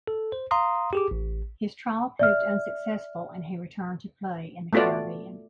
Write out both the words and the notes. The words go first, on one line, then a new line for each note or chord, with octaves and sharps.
His trial proved unsuccessful and he returned to play in the Caribbean.
A4
C5
F5 A#5 C6 D#6
G4 G#4 D6
A1
D5 E5 F6
A3 B3 F4 F#4 D5